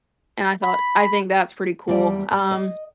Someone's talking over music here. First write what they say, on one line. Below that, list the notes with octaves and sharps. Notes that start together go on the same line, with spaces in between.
and I thought, "I think that's pretty cool." Um,
B5
E2 G3 D5
G3
D#5